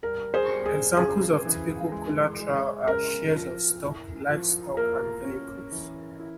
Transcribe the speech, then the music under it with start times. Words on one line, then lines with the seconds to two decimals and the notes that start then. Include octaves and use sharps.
Examples of typical collateral are shares of stock, livestock, and vehicles.
0.03 G3 A#4
0.34 G#4 C5
0.51 G3
0.66 G#4
0.97 C#3 G#4
1.45 E3
1.92 G#3
2.40 G#3
2.87 C#3 A#4
3.34 F3
3.83 E4
4.30 F3
4.77 A#3 A#4
5.24 C#4
5.72 E3
6.19 E4